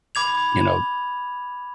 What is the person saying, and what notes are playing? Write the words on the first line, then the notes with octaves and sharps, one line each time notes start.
you know
B5 D6 G#6 F7